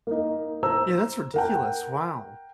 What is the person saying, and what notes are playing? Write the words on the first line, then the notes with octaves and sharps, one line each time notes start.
Yeah, that's ridiculous. Wow.
A#3 D#4
C5 A#5 E6
A#4 F#5 G5